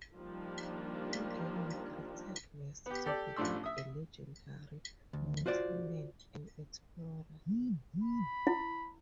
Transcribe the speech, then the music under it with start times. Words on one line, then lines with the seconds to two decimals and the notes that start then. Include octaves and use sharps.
He then migrated west to become a legendary "mountain man" and explorer.
0.15 D#3 F3 G3 A#3 D4
2.86 B3 G4
3.06 G4 A4 D5
3.36 A1 F3 A3 D4 C6 E6
3.64 E5 D#6
5.13 D2
5.46 F4 F#4 C5 D5
8.04 B5
8.47 E4